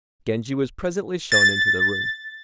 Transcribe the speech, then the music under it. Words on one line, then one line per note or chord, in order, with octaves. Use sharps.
Genji was presently shown into the room.
A6